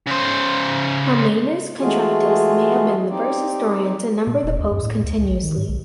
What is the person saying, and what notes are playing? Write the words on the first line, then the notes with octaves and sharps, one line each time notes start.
Hermannus Contractus may have been the first historian to number the popes continuously.
C#3 C5
E3 G#3 A3 F4 F#4 G#4
C4 D#4 G4 D5
A#2
E1
D#2
F#2
A2
D2
C#2
A#1
D#3
G#2
B1